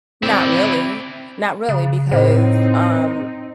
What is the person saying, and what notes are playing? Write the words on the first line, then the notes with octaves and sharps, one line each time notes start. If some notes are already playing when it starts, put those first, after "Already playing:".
not really. Not really, because, um
C4 E4 D5
C#3
A2 C4 D#4 C5